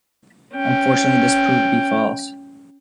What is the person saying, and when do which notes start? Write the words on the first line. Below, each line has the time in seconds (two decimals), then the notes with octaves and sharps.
Unfortunately, this proved to be false.
0.55 C#4 G5